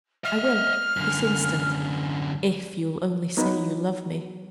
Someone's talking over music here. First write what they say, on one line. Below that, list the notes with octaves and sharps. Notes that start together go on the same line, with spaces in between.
'I will, this instant,--if you'll only say you love me.'
D#5 E5 F6
F#2 D3
F#3 B3 D#4 B4